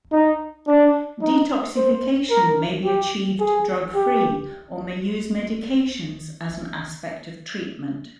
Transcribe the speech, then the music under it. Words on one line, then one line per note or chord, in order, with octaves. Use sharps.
Detoxification may be achieved drug-free or may use medications as an aspect of treatment.
D#4
D4
D#4
C5
A#4
G4
G#4
G4